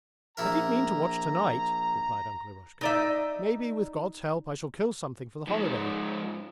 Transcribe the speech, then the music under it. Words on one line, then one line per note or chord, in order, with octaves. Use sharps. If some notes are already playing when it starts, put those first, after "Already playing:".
'I did mean to watch tonight,' replied Uncle Eroshka. 'Maybe, with God's help, I shall kill something for the holiday.
A#1 E4 A#4 A#5
D#4 D5 E5
G#2 F3